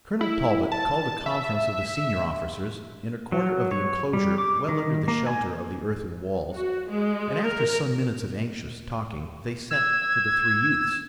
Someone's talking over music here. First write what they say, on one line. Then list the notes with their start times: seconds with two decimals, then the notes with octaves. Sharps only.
Colonel Talbot called a conference of the senior officers in a corner of the enclosure well under the shelter of the earthen walls, and after some minutes of anxious talking they sent for the three youths.
0.21 E4
0.72 A5
1.26 E5
3.32 F#3
3.71 C#5
4.13 G3
4.38 D6
4.69 D#3
5.08 A#3
5.27 G#5
6.54 F#4
6.88 G#3
7.44 A#4
9.71 E6 G#6